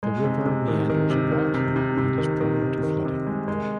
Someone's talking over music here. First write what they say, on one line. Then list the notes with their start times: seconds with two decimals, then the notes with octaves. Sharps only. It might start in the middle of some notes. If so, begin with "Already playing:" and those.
The river meanders a lot here and is prone to flooding.
0.03 G#3
0.24 C3
0.46 C3
0.68 D#3
0.89 D#3
1.10 C3
1.32 D#3
1.54 C3
1.76 C3
1.97 C3
2.18 D#3
2.41 D#3
2.61 C3
2.83 D#3
3.05 C3
3.27 G#3
3.48 G#3